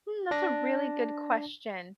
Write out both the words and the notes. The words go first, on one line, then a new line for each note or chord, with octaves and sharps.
Hmm, that's a really good question.
D4 A#6